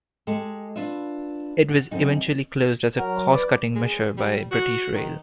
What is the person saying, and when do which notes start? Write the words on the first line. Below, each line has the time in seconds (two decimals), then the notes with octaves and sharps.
It was eventually closed as a cost-cutting measure by British Rail.
0.27 G#3 G4 A4
0.76 D4 F4 B4 E5
1.69 F#5
1.91 F#2 D3 C4 D#4
2.97 F#3 A#4
3.33 B4 D5
3.75 G#3
4.17 G3
4.51 F#4
4.95 D#3